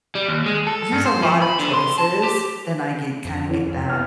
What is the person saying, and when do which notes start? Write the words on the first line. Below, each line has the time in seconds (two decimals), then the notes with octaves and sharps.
if there's a lot of choices, then I get kinda get that
0.15 G3
0.28 D#2
0.46 G#3
0.67 A4
0.93 G2
1.06 C5
1.23 F3
1.42 B5
1.59 D3
1.73 C6
1.98 A5
2.24 G4
3.25 F2
3.49 E3 C#4
3.67 F2
3.90 B3 F6